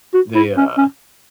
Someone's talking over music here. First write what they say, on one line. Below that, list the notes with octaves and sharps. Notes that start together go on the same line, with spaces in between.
They, uh,
F#4
E4
C#4
C#4